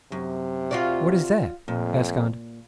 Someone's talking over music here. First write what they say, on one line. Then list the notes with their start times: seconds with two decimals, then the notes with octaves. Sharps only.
"What is that?" asked Andrea.
0.12 F#2 C3
0.71 F4 F#4 D5
1.68 F2 A#2